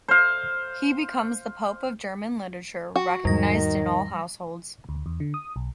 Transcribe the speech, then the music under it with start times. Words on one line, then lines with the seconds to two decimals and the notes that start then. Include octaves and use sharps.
He becomes the Pope of German Literature, recognized in all households.
0.08 C5 F5
2.96 F#4
3.25 E2 G#2 D#3 F3 G3 A#6
4.89 D2
5.06 E2
5.20 D3
5.34 D#6
5.56 B1